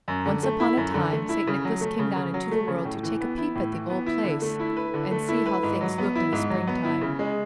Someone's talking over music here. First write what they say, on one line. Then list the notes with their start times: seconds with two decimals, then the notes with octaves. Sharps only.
Once upon a time St. Nicholas came down into the world to take a peep at the old place and see how things looked in the spring-time.
0.08 F#2
0.26 D3
0.43 A3
0.60 E4
0.77 F#2
0.94 D3
1.13 A3
1.29 E4
1.47 C#3
1.65 F#3
1.81 A3
1.99 C#3
2.16 C#3
2.34 F#3
2.51 A3
2.68 C#3
2.85 A2
3.03 E3
3.21 B3
3.38 E4
3.55 A2
3.73 E3
3.90 B3
4.06 E4
4.24 D3
4.42 A3
4.60 E4
4.77 B4
4.94 D3
5.11 A3
5.29 E4
5.46 B4
5.63 G#2
5.81 F#3
5.98 B3
6.15 E4
6.33 G#2
6.50 F#3
6.67 B3
6.85 E4
7.01 C#3
7.19 G#3